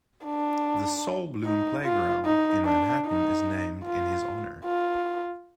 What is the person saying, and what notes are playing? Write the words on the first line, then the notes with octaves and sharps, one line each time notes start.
The Sol Bloom Playground in Manhattan is named in his honor.
D4
D#4
F4
D#4
D4
D#4
F4
F4